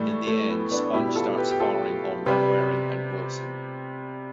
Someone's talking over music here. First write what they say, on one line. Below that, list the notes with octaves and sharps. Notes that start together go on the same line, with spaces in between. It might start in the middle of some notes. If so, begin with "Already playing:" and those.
In the end, Sponge starts firing on Mainwaring and Wilson.
Already playing: A2 E3 G3 A3
A3
B3
B3 D4
B2 G3 E4 G4
F4 A4
G4 B4
G4
F4 A4
C3 G3 G4 B4